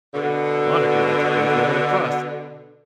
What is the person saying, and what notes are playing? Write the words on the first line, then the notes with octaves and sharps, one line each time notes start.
ironically, that's a huge moment of trust.
B2 D3